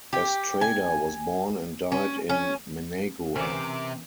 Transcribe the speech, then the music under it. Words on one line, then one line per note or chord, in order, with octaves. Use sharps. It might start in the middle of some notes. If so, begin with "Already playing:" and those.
Estrada was born and died in Managua.
G4
G#5
C#4
C#4
C3 E3 C#4 A#4 D6